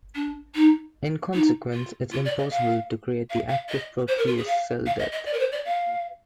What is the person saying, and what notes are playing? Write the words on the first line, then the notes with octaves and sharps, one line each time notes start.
In consequence it's impossible to create the active protease cell death.
D4
D#4
D#4
F4
F4
D5
D#5
F5
F5
F5
D#5
C5
A#4
F4
G#4
F5
F5
D#5
D#5
D5
A#4
C5
D5
F5